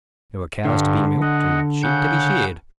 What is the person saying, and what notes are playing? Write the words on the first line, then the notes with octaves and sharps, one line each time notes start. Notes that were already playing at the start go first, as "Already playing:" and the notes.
There were cows to be milked and sheep to be sheared.
G2 D3
D#5 F#5
C#3 F#5 G6